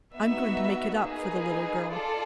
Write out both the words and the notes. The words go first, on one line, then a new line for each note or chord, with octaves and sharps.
I'm going to make it up for the little girl.
B3 D#4 F#4 B4 E5
A#3 D#4 G#4 B4
F4 A4 D5